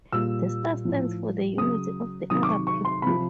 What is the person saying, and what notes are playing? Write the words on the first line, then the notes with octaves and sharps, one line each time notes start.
The star stands for the unity of the Arab people.
A#2 G3 E6
A2 F3
C#3 F#3 D#6
C3 D#3 F#3 D#6
D6
C#6
C#6
C6
C3 F3 B5